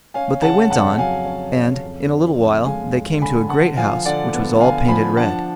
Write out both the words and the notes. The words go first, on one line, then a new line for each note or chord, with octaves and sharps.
But they went on, and in a little while they came to a great house which was all painted red.
C#4 F5 G#5
C#3 F#5 A5
F2 F#5 A5
F#3 F5 G#5
C#4
C#3
F2
D3
F2
G#3 F5 G#5
F2
D3 G#5 B5
D3 F#5 A5
F3 F5 G#5
D3 D5 F#5
B3
D3 F5 G#5
F3 G#5 B5
D4 F#5 A5